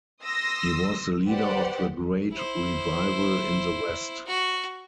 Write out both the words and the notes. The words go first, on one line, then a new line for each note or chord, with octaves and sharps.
He was the leader of the Great Revival in the West.
C6 D#6 E6 A#6
G4 B4 C5 D5 F#5
E4 C5
F#4